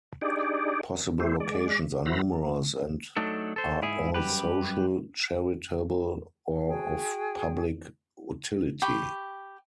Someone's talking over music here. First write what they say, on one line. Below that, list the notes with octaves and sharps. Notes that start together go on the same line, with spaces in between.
Possible locations are numerous and are all social, charitable or of public utility.
D4 D#4 G4 G#4 D5
A3 E4 G4 C5
G#3 D5
E4 F#4 C5 A#5 B5
F#3 A3 D4 D#4 A4
A4 C5
G#2 E4 G#4
F#2 G3 G4 B4
F#4 G#4 G5
G4 G5 B5 C#6